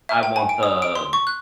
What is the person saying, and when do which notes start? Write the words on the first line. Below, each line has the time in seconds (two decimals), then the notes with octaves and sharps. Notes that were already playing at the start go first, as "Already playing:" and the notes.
I want the the
0.09 E5
0.23 G5
0.36 G#5
0.49 D7
0.63 D#6
0.82 D7
0.96 C6
1.13 C#6
1.27 F#6